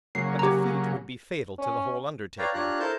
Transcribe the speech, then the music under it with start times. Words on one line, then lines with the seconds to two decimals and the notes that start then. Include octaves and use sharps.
A defeat would be fatal to the whole undertaking.
0.15 C#3 F#3 A#3 C7
0.39 G4 A#5
1.59 C#4
2.38 B4 C#5 D5 F5 G5 A#5
2.54 D4 F4 G4 C#5 A#5 F#6
2.79 E4 A4 A#4 C5 A5 G6